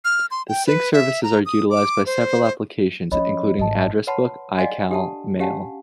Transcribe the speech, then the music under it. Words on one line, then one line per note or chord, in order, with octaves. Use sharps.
The sync services are utilized by several applications including Address Book, iCal, Mail.
F6
C6
G5
B4
E5
A#5
D#6
D6
C5
F3 C#4 C#5 D#5 B5
G#1 D#5 A5
B4 C#5 F#5 A5 B5 C6
D5 D#5 F5 F#5 G#5 C6
D4 G4 A4 F#5 A5
C#4 G4 F5 F#5 G#5 A5